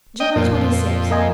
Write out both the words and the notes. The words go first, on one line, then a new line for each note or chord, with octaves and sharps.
July Twenty-sixth.
D#5 G5
F2 A#2
F2
A#3 D#5 G#5